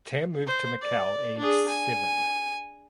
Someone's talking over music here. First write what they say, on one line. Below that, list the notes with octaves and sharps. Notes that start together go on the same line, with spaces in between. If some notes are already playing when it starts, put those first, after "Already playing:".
Tam moved to Macau aged seven.
C5
D5
D4 G#4
G#5